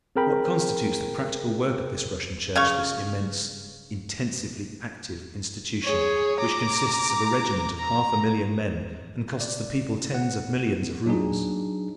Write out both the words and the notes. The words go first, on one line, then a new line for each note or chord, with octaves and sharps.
What constitutes the practical work of this Russian Church, this immense, intensely active institution, which consists of a regiment of half a million men and costs the people tens of millions of rubles?
C4 G#4 A#4 G5 B5
C#3 F5 C#6
G#4 C#5
A#5 D6
A#5
D5
F#5
F#3 D4 D#4 G#4